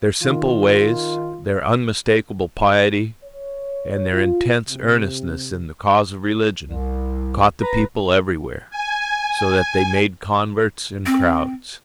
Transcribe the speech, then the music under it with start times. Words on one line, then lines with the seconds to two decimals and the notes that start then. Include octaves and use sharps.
Their simple ways, their unmistakable piety, and their intense earnestness in the cause of religion caught the people everywhere, so that they made converts in crowds.
0.23 D#3 F4
3.23 C#5
4.11 F4
4.67 C3
6.66 C2
7.62 B4 A#5
8.70 G#5
11.06 C4